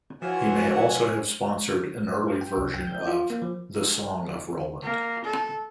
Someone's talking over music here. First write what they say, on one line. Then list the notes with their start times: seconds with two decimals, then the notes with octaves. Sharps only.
He may also have sponsored an early version of "The Song of Roland".
0.22 E3 F3 F#4 C#5 E5 F#5 G#5
2.41 G5
2.57 C2
2.74 G5
2.87 G6
3.07 F4
3.30 A#3
3.42 F3
4.83 A#3
5.25 A4